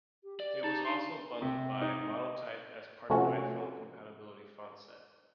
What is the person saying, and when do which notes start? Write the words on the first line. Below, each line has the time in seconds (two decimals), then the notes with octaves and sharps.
It was also bundled by Monotype as part of iPhone Compatibility Font Set.
0.24 G4
0.40 G4 D5
0.64 D#4 A5
0.85 D4 C6
1.42 C3
1.81 D#4
3.10 C3 F3 A3 C#4 F#4